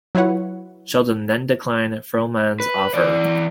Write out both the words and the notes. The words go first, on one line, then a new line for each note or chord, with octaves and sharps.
Sheldon then declined Frohman's offer.
F#3 E4 F4 B4 C#5 F#5
B4
E3 D5